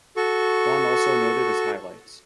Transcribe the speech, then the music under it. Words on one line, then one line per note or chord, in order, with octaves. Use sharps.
Dawn also noted as highlights.
F#4 A4 C#6